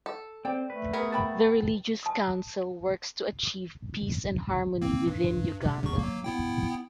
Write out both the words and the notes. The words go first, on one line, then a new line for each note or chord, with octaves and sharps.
The religious council works to achieve peace and harmony within Uganda.
A4
C4 C5 D5 G5
A3 B4
B3 G#4 A#4
B4 G5 A5 B5
A5 D#6
A#3 C4
G2
C3
E2 C#6
F#3 A#3
B3 E4 G5